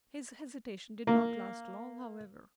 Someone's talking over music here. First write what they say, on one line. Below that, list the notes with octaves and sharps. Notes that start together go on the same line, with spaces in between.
His hesitation did not last long, however.
A#3